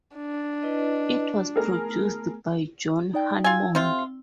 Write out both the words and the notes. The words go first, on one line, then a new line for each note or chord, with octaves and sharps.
It was produced by John Hammond.
D4
E4 B4 D#5
A3 B3 G#4 A#4
D#4 D5 G5
F4 G#5 E6
C3 C4 F4